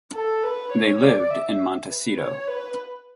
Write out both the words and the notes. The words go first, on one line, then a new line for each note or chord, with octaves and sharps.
They lived in Montecito.
A4
B4
C#5
D5
E5
B4
C#5
B4